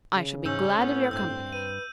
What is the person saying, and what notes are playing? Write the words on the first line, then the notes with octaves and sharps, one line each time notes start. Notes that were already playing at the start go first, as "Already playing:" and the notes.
"I shall be glad of your company."
C#3
G#2 C#4 E6 G6
A2 B3
G2 C4 E6 G6
B4 D#7